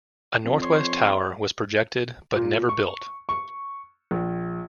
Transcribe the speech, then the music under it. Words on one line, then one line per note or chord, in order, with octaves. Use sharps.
A northwest tower was projected but never built.
F2
C#5 C6
A#2
C#6
C#6
A#1